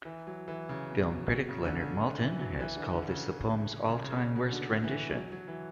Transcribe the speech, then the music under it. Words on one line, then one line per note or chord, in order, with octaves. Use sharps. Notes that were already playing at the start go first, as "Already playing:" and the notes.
Film critic Leonard Maltin has called this the poem's all-time worst rendition.
E3
F#3
E3
C#3
B2
B2
B2
C#3
D3
C#3
E3
F#3
E3
D3
D3
C#3
C#3
C#3
C#3
B2
D3
E3
F#3
F#3
E3